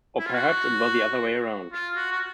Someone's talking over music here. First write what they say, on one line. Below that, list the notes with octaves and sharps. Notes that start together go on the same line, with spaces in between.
Or perhaps it was the other way around.
E4
F4
F#4
F4
F#4
F#4